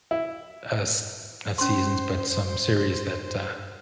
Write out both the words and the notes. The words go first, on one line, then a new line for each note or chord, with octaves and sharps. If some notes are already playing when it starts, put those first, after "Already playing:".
uh, s not seasons, but some series that, uh,
E4
C#4 C5 C6